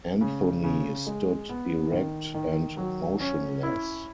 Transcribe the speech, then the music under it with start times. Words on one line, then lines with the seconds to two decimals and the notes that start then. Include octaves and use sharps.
Anthony stood erect and motionless.
0.21 C#3
0.63 C#3
1.07 G#3
1.49 B3
1.92 D#3
2.34 D#3
2.77 F#3
3.20 C#4
3.63 E4